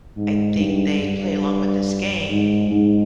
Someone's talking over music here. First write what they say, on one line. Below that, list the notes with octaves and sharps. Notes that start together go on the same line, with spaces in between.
I think they play along with this game
G#2
G2
G2
G#2
G#2